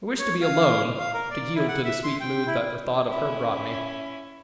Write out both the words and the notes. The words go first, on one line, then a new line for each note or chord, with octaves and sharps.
I wished to be alone, to yield to the sweet mood that the thought of her brought me.
C#5
F5
F5
A#4
D5
E4
F#5
E5
C6
G5
E4
C#4 E4